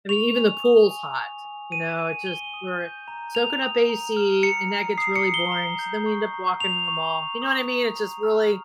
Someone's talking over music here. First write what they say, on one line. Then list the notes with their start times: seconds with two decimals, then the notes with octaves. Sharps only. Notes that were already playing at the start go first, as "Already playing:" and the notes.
I mean, even the pool's hot, you know, it just we're soaking up AC, and that gets really boring, so then we end up walking in the mall, you know what I mean, it's just really
0.09 C#6 F7
0.36 G#5
0.63 D#6
0.91 G#5
1.18 G#5
1.45 G#5
1.72 G#5 D#7
1.99 G#5
2.26 G#5 G7
2.54 D#6
2.80 G6
3.08 A#5
3.35 A#5 F7
3.62 D#6
3.89 A#5
4.16 F6
4.43 A#5 C#7
4.71 A#5
4.98 D#6 C7
5.16 C#7
5.25 D#6
5.34 G7
5.52 A#5
5.79 G6
6.06 C#6
6.34 A#5
6.60 A#5 F7
6.88 C#6
7.15 A#5
7.42 D#6
7.69 A#5
7.96 A#5
8.23 F6